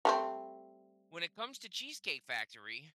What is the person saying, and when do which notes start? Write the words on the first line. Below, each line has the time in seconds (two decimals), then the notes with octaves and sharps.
when it comes to Cheesecake Factory,
0.05 G3 A3 C4